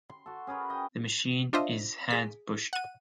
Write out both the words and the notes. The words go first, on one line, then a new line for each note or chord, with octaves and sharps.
The machine is hand pushed.
C6
F#4 A4
C#4 G#4 A#4 B4
D#5 G5
D4 F4 C5 D#5 E5
G#4 B6
F#5 D#7